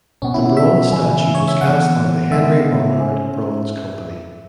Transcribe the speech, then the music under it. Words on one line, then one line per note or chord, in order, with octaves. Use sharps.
The bronze statue was cast by the Henry Bonnard Bronze Company.
B2 B3 C#4
E4
E4
E5
C#3 E3 C#4
C#5
E5
E3 B3 F#5
C#3 G#3 B3 E5
C#4